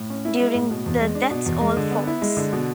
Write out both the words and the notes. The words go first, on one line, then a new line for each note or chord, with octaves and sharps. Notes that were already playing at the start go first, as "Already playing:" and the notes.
During the That's all, Folks!
Already playing: A2
C#4
E4
G#3
A2
B2
E2
G#3
D4
B2
E2
G#3
D3
B3
E4
G#3
D3
B2